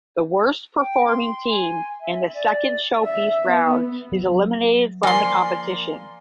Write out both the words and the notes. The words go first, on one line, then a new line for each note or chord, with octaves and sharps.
The worst performing team in the second "Showpiece" round is eliminated from the competition.
G5
C6
G#5
E5
D5
E5
B3
F#3
F3 A#3 D5 G#5 C6